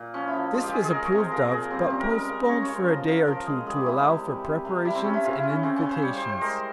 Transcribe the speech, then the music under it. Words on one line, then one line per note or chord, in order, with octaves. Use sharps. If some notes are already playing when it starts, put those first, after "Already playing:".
This was approved of, but postponed for a day or two to allow for preparations and invitations.
Already playing: A#2
F3 C#4
E4
F3
G#3 F4
G4
G#3 G#4
G#4
G#3 A#4
C#5
C3
C5
F3 A#4
A#2 G#4
G3 C4
C4
C3 C#4
A#4
G#3 A#4
C#3 A#4
C#3 C#5
C#5
C#3
C5
F3 A#4
F3
A#4
F3 A#4
G#3 G#4
G3 G#4
G4
C3 E4
E4
C3
C3
C3
C3
G3 E4
C4
C3 C#4
E4
C#3 F4
E4
C#3
C#4
C#3 C4
C#4
C#3
C5
G3 C#5
C5
G3
C5
G#3 A#4